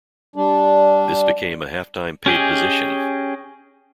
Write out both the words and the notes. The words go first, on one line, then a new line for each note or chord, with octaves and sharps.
This became a half-time paid position.
G3 D4
C#4 G4 G#4 D#5